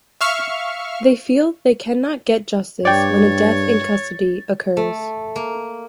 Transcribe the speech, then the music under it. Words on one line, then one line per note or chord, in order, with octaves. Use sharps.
They feel they cannot get justice when a death in custody occurs.
E5 F5 C#6 F6
G2 C#5 D5 G5 A6
A3
A#3